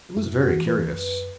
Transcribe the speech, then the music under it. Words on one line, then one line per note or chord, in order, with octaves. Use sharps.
It was very curious.
F#2 E4
F#4
E3
B4
F#2